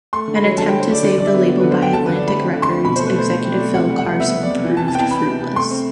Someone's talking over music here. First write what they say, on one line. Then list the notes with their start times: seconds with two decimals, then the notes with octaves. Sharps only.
An attempt to save the label by Atlantic Records executive Phil Carson proved fruitless.
0.13 A3 C6
0.28 D3
0.36 B5
0.43 F#3
0.58 D3 A5
0.69 F#3 G5
0.80 C5
0.89 D3 D5
1.03 D3 D5
1.18 D3 D5
1.26 E5
1.34 B3
1.48 B3 D5
1.60 D3 B4
1.71 C5
1.79 D3 G5
1.93 D3 A5
2.06 D3 B4
2.16 D5
2.23 A3 B5
2.40 C4
2.54 D3
2.62 C6
2.70 C4
2.84 B2 B5
2.96 A3 C5
3.07 B4
3.14 A3 C5
3.30 A3 C5
3.45 C4
3.52 D5
3.59 A3
3.74 C3 F#5
3.90 G3
3.98 F#5
4.05 C3
4.20 B3 E5
4.35 B3
4.43 D5
4.50 C3
4.65 E3
4.77 A5
4.80 C3
4.88 A5
4.95 B3 G5
4.99 A5
5.11 B3 B5
5.26 C3
5.41 C3
5.56 A3 C6
5.71 C4